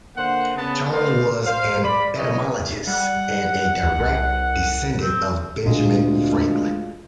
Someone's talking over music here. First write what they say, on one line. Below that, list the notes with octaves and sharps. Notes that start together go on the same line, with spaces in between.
Charles was an entomologist and a direct descendent of Benjamin Franklin.
D3 A#3 C5 F#5
C#3 B3 A5
A3 B4 C5 D5 D#5 F5
C5 F5
D5 B5
E4 B4 C#5 D#5
G3 F#5
D2
C2
C4
D2 A#2 G#3 C4 F4